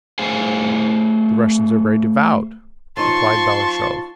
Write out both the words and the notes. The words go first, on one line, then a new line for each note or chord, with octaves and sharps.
"The Russians are very devout," replied Balashev.
A3 G#4 C5 F5 G#5
F3 D#4 A5 C6 C#6